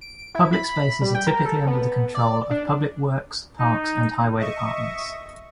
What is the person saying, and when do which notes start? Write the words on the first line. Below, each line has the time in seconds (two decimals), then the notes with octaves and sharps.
Public spaces are typically under the control of public works, parks, and highway departments.
0.01 D7
0.35 E4
0.53 B5
1.01 G3
1.15 G5
1.27 A#4
1.45 A4
1.67 B3
2.14 D5
2.50 D4
3.59 D#4
4.39 D#5 E5 C#6